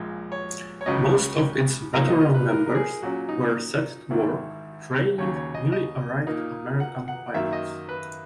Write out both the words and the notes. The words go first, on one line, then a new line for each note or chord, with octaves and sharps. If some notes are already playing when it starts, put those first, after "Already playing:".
Most of its veteran members were set to work training newly arrived American pilots.
Already playing: A#1 A#2 G#3
C#5
C#5
C#2 C#3 F#3 C#4 D#5
B1 A#2 A#3 D#4 A#5
D#5
D#5
B4
A#4
A#4
G#4
A#2 F#3 C#4 F#4
D#4
G#1 G#2 D#3 E4
D#2 C#3 F#3 C#5
C#5
D#5
D#5
A#2 A#3 D#4
F#5
F#5
F#2 D#3 A#3 E5
D#5
B4